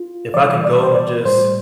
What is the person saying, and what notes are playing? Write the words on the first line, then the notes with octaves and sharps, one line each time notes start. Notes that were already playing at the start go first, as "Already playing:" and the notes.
if I can go and just
Already playing: F4
C3 E3 G3 D5
D5
C5
D5
A2 G3 C5